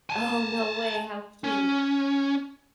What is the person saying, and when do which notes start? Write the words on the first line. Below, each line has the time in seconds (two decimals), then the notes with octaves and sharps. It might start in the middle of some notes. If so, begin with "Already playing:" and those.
Oh, no way, how cute.
0.10 G#5 A5
1.44 C#4